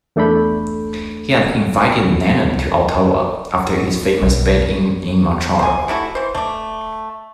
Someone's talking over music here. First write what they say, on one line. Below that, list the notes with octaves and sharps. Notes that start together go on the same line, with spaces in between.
He had invited Lennon to Ottawa after his famous "bed-in" in Montreal.
E2 A3 D4 A4 B5 G6
B1
C5 G#5
C3 A3 E4 F#4
E3 C5
A3 D5